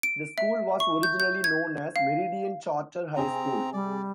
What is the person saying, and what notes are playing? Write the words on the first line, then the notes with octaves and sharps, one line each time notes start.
The school was originally known as Meridian Charter High School.
D7
E5
C#6
G6
G6
G#6
F5
C3 C4 G#4 A#5
G3 D5